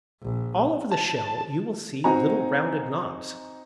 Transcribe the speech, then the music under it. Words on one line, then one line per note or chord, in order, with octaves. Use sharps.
All over the shell you will see little rounded knobs.
A#1
A5
C4 D#4 F#4 D#5 G#5 A#5